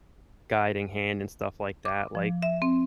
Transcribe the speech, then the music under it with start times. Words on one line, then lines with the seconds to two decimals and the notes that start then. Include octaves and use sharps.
guiding hand and stuff like that, like,
1.85 D6
2.15 F3
2.42 E5
2.62 C4